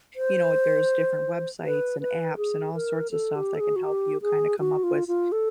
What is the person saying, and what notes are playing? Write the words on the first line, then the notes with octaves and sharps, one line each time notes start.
you know, there's different websites, and apps, and all sorts of stuff that can help you kinda come up with
C5
B4
B4
G#4
A#4
A4
G4
A4
G#4
F#4
G4
G#4
F#4
F4
F4
A4